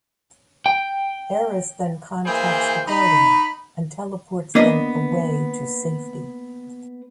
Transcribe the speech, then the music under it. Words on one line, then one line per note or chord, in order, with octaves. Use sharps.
Eris then contacts the Guardian and teleports them away to safety.
G5
E3 A#3 G#4 C5 G5
D#4 B5
A#3 B3 D4 B4 D#5